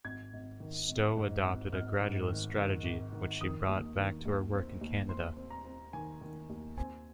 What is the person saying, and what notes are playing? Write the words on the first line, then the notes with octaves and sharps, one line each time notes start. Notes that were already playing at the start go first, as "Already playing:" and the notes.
Stowe adopted a gradualist strategy which she brought back to her work in Canada.
G#1 G#6
G#1
D#3
G#1
G#2
G#1
G#1 F6
G#2
D#3
D#3
G#1
D#3
D#3 D#6
D#2
D#3
D#2
C4
D#2
C4 C6
C4
A#5
C4
D#3 G#5
D#3
D#2
C4 G#5